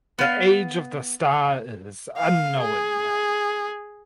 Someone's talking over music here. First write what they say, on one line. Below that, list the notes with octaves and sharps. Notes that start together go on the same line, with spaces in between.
The age of the star is unknown.
B3 F5
F5
G#4